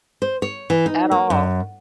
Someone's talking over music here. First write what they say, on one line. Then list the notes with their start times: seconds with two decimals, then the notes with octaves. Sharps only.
At all.
0.22 C5
0.42 C#5
0.70 E3
0.86 D#4
1.11 A#3
1.30 F#2